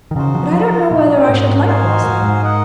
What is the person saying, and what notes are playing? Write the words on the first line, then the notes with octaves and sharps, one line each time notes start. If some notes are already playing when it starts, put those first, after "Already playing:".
But I don't know whether I should like Wellesley.
D#3
C#3 D#4 F#4 C5
F3
F3
A#2 A#3 D#4 F#4
G#2
D#4 F#4 C5 F5 G#5
G#2
G#2
D#4 A#4 D#5 F#5